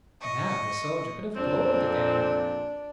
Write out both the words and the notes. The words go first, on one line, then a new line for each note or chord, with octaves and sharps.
Now the soldier could have gold again.
D#5 C#6
F2 A#2 C4 D4